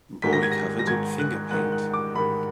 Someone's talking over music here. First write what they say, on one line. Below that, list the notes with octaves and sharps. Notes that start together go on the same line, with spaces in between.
Boy covered in finger paint.
G#2 D#3 B6
A#6
G#6
A#6
A#6
G#2 D#3 G#6
F#6
G#2 D#3 F#6
F#6
D6
G#2 D#3 B5